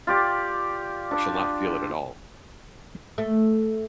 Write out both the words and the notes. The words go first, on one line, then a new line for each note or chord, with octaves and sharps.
I shall not feel it at all.
F4 G4 D5
D4
A3